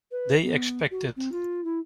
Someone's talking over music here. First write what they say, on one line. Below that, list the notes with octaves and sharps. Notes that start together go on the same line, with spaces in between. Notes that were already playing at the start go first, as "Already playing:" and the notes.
They expect it.
B4
B3
F#4
C4
F4
E4